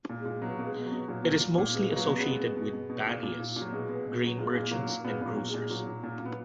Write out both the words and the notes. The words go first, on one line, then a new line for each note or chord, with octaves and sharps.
It is mostly associated with Baniyas, Grain merchants and Grocers.
A#2
G#3
A#2
B2 F#3
B2 A#3
G#3
B2
F#3
B2
A#2 F#3
A#2
A#2
A#2
B2 G#3
B2
F#3 A#3
B2
C#4
G#3 B3
B2
B2
B2
B2
B2
A#2
A#2
A#2
A#2
F#3
B2 G#3
B2
B2
B2 F#3
A#2 G#3
A#2
A#2 F#3 A#3
A#2
A#2 G#3 B3
A#2 B3
F#3 A#3
A#2
G#3
A#2
A#2 F#3
A#2
A#2
A#2
B3